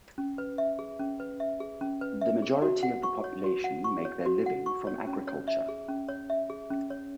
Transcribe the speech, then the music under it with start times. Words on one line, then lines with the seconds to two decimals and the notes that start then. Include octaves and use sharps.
The majority of the population make their living from agriculture.
0.18 C#4
0.38 B4
0.58 E5
0.79 G#4
0.99 C#4
1.20 B4
1.40 E5
1.60 G#4
1.81 C#4
2.01 B4
2.21 E5
2.42 G#4
2.62 F#4
2.83 F#5
3.03 C#6
3.24 C#5
3.44 F#4
3.64 F#5
3.84 C#6
4.05 C#5
4.26 F#4
4.46 F#5
4.66 C#6
4.87 C#5
5.07 C#4
5.27 C#5
5.48 E5
5.69 G#4
5.89 C#4
6.09 C#5
6.30 E5
6.50 G#4
6.70 C#4
6.90 C#5